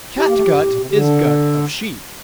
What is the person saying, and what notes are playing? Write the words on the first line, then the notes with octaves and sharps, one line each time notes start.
Catgut is gut of sheep.
E4 G4
A#3
A3
F3
G2
A2
A#2
C3
D3 G4
D4